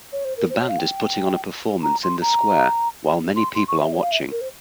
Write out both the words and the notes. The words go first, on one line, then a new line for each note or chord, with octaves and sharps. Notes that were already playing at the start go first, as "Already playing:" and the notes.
The band is putting on a performance in the square while many people are watching.
C#5
C5
A#4
C5
C#5
F5
G5
A#5
C6
A#5
C6
C6
C#6
E5
C#5
F5
E5
A#4
C5